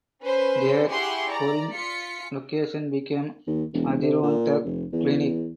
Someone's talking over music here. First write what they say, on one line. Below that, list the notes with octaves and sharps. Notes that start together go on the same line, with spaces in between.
Their "Corinth" location became "Adirondack Clinic".
C#4 B4 C5
E4 G4 G#4 F#5 C6 C#6
D5 A#5
F4 B6 C#7
D#2
E1
C3
A#2
F1
E2